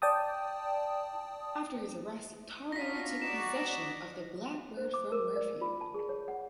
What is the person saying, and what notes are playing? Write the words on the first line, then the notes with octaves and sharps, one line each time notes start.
After his arrest, Tarberry took possession of the "Blackbird" from Murphy.
D5 G5 A5 D#6
D4 D#4 F4 F#4 A#6 B6
D#4 F#4 D5 E7
C5
D6
A#4
D5
F4
A5
G#4
C#5
F#5